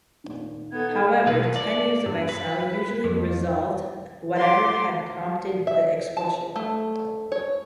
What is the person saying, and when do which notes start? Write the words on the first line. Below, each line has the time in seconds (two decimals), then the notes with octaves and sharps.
However, ten years of exile usually resolved whatever had prompted the expulsion.
0.24 A#2 D#3
0.72 B3 D#4 A4 G#6
1.27 B1 B4
1.56 D5
2.06 G2
2.29 B4
3.04 F2
4.36 C6 D6
5.67 E5
6.17 A5
6.56 A3
7.32 C#5